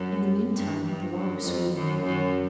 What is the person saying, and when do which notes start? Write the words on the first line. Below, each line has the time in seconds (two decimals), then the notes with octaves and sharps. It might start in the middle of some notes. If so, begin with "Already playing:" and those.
In the mean time the war with Sweden went on.
Already playing: F#2
0.54 G2
0.84 G2
1.13 F#2
1.44 F2
1.74 F#2
2.03 F#2